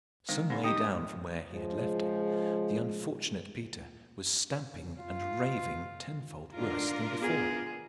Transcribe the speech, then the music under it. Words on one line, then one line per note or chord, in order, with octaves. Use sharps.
Some way down from where he had left him the unfortunate Peter was stamping and raving tenfold worse than before.
D#3 G#3 C4 C5
G#2 C4 B5
C4 D#4 G4 G5 D#6
D4
C#3 F3 G#3
F4
G#2 D3 D4 F4 A#4
B3 G#4